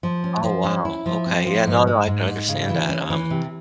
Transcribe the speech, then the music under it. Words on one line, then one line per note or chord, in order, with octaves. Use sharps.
Oh, wow. Okay, yeah. No, no, I can understand that, um,
F3
C#4
F3
C#4
E4
F3
C4
F3
G#2
G#3
G#2
G#2
C#3
E3
C#4
E3
C3